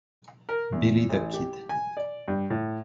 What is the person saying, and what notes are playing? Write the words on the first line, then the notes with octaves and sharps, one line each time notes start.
Billy the Kid.
A#4
E2
A1
G4
G#5
D5
G2
A2